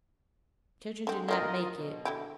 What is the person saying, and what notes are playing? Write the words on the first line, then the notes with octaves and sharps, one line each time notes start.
Children do not make it.
D3 G#3 C4
A3 C4 D4 F4 A#4 D#5
B2
D3 E4 G4